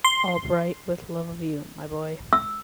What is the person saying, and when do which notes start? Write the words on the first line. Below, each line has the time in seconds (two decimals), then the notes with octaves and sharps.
All bright with love of you, my boy.
0.04 C6
2.33 E6